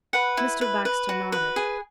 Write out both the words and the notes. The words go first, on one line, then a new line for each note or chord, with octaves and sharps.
Mr. Baxter nodded.
B4 F#5 B5
E4
B4
B4
F#4
B4
G#4